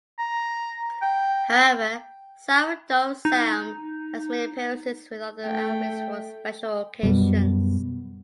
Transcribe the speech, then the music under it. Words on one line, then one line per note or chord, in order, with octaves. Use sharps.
However, Sourdough Sam has made appearances with other outfits for special occasions.
A#5
G5
D#4
A3 G5
F#2 B2 G3